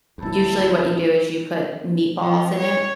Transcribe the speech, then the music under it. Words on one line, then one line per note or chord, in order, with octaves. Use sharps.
usually what you do is you put meatballs in it,
D1 D#2 E4 A4 B5 G6
F3
C#5